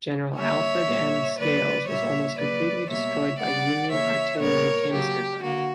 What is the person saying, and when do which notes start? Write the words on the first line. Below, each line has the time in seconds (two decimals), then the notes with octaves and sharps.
General Alfred M. Scales was almost completely destroyed by Union artillery canister fire.
0.36 D3 G3 A#3 C#5 E5
0.86 A#2 G3 A#3
1.37 D3 F#3 A#3 B4 D5
1.87 A#2 G3 A#3 C#5 E5
2.38 C#3 F#3 A#3 B4 D5
2.88 B2 G3 A#3 C#5 E5
3.39 C#3 G3 B3 D5 F#5
3.90 C#3 E3 A#3 C#5 E5
4.40 A#2 G3 B3 A#4 C#5
4.91 C#3 F#3 A#3 G4
5.41 D3 A#3 F#4